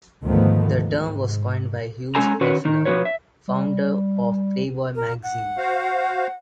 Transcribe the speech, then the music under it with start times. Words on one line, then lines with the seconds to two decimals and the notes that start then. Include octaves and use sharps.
The term was coined by Hugh Hefner, founder of "Playboy" magazine.
0.23 D2 G#2 D#3 F3 A3 B3
0.83 G#2
2.15 G#3 C#4 A4 G#5 A#5
2.41 D#3 C#4 F#4 B4 C#5
2.65 D#3 D#4
2.85 B2 F3 G3 F#4 B4 C#5
3.05 E5
3.48 G3
4.96 A#4
5.23 F#5
5.57 F#4 C5 F5